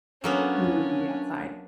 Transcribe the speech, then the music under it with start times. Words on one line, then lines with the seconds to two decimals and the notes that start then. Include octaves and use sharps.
and we can be outside.
0.24 F#3 A#3 B3 C#4 D4